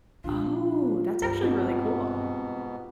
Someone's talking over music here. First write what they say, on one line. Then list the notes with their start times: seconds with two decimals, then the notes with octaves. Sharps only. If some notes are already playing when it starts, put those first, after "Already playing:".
Oh, that's actually really cool.
0.24 A#2 F3 D4 F4 G4
1.22 G1 G2 G3 G4 C5 B5
1.40 G#2 B2 B3 C4 A5 B5